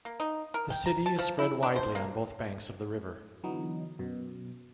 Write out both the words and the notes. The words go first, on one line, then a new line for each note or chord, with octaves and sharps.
The city is spread widely on both banks of the river.
A#3
D#4
A#4
G5
A#5
A5
F3
E4
D4
C5
A#3
D3 E3 F#3 B3 D#4
F#2 B2